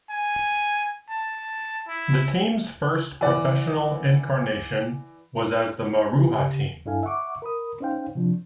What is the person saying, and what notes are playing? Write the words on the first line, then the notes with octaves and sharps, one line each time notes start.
The team's first professional incarnation was as the Maruha Team.
G#5
A5
E4
E3 D5 F#5
C#3 G4
G2 D4 E4 A4 F5 G#5
E5 F#5 C#6 D6
A#4 B5 D#6
C#4 D#4 C5 F5 G5
C3 F3 D4